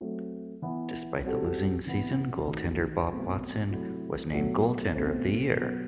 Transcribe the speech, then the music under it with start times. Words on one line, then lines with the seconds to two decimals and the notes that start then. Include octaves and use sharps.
Despite the losing season, goaltender Bob Watson was named Goaltender of the Year.
0.01 F#3 A3 C4
0.62 E3 B3 E4
1.23 G3 C4 F#4 A4
1.86 C3 E3 B3
2.47 D#3 A3 D#4 F#4
3.09 B2 F#3 A3 C4
3.71 C3 F#3 A3 E4
4.32 B2 F#3 A3
4.94 B2 A3 C4
5.55 B2 F#3 B3